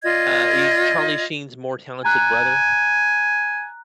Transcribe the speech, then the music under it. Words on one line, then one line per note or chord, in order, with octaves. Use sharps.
uh, he's Charlie Sheen's more talented brother.
F4 D5 D#5 G#6
G#5 A#5 F#6